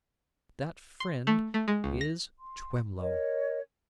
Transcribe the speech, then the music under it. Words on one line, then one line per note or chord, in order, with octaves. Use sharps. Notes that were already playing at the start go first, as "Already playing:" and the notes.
That friend is Twemlow.'
C6
A3
A3
G#3
C#2
A#6
C6
A#4 C#5 D#5